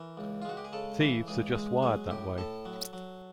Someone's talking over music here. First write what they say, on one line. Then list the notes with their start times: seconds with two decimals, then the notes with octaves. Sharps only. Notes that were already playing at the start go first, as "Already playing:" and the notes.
Thieves are just wired that way.
Already playing: E3 A#4
0.17 C#2
0.42 F4
0.45 G#3 F#4
0.57 G4
0.65 G#4
0.73 C#3 A4
1.00 E3
1.28 C#2 G#4
1.55 G#3
1.82 F#3 G#4
2.11 A2 G4
2.38 A2 A4
2.65 F#3
2.93 F#3